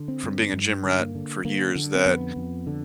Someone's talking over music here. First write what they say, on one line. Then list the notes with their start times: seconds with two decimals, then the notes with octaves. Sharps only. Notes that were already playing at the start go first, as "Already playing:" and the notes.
from being a gym rat for years- that
Already playing: D3
0.08 C4
0.23 G2
0.54 G2
0.84 D3
1.00 A#3
1.15 D3
1.45 D3 A#3
1.76 D3
1.95 C4
2.06 F2 B3
2.36 F2
2.67 D3